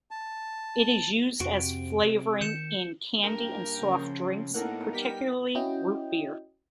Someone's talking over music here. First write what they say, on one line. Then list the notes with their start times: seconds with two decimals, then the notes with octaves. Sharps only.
It is used as a flavoring in candy and soft drinks, particularly root beer.
0.11 A5
1.40 F2 C3 C4 F#4 D7
2.41 D#3 G6 C#7 E7
3.22 G2 A#3 A#4 G5
3.81 C#3 F3
4.54 A2 A#3 B3 D#4 A#4 F#5
4.93 G3 A#4 G5 B6
5.55 C#4 E4 F#4 D#5 G5